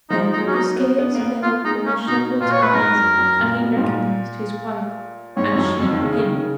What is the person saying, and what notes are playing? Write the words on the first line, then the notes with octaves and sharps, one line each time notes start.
Then the scales fell from the shepherd's eyes, and he recognised his wife, and she him.
F3 D#4
D#4
G#3
F#3 C#4
D#4
B3
B3
A#3
B3
B3 F4
G#3 D#4
A#3 C#4
B2 D#4
A#2 F4
C#5
B4
G#2 A#4
F#2
F#2
A#2
B2
G#2
A#2
G#2 C#5
F2
F#2
F2
D#3
C#3
C#3
D#3
C#3